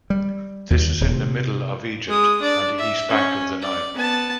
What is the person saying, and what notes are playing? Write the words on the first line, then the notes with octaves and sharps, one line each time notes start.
This is in the middle of Egypt, on the east bank of the Nile.
G3
D#2
D#1
C3
G#3 D#6
D4 D5
E5
C#4
D5
B3 A5